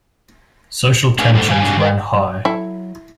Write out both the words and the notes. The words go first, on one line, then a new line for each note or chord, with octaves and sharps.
Social tensions ran high.
A3 D4 G#4 B4 F5 G#5
G2 A3 A4 C5
D#3 F5 G#5
C3 F#3 D4 F5 G#5
D#3 A#4
F#3
F#3 E4 A4